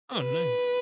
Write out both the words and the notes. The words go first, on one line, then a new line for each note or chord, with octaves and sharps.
Oh, nice.
B4